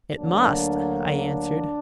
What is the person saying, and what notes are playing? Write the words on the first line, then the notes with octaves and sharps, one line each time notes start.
"It must," I answered.
D2 D3 F#3 A#3 D4
D4